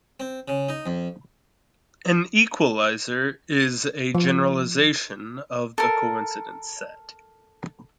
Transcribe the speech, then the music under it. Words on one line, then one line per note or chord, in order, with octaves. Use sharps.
An equaliser is a generalization of the coincidence set.
C4
C#3
D#4
F2
F3
A4 A#4